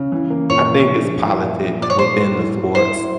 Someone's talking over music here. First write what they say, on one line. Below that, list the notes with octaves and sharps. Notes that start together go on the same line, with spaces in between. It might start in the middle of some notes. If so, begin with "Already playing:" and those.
I think it's politics within the sports.
Already playing: C#3
E3
A#3
A#2 C#5
F3
D4
F3
E4
A#2
F3
A#2 D5
C#5
A3 C5
B4
A2
F#3
E4 C5
E4